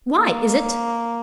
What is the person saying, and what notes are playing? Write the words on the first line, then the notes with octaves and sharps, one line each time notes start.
"Why? is it--?"
A#3